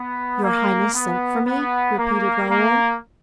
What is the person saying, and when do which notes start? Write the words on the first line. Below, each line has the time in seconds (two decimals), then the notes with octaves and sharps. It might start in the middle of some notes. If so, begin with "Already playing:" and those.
"Your highness sent for me?" repeated Raoul.
Already playing: B3
0.43 A#3
0.95 B3
1.46 B3
1.98 A#3
2.49 A#3